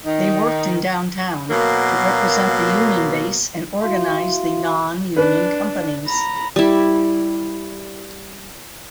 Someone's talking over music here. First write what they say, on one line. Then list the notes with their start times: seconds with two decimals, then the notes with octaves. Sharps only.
They worked in downtown to represent the union base and organize the non-union companies.
0.04 D#3 D#4
1.50 B2 F#3 A#3
3.81 E4 F#4 E5 F5 C6
5.16 D4 B4
6.06 A#5 B5
6.56 G3 E4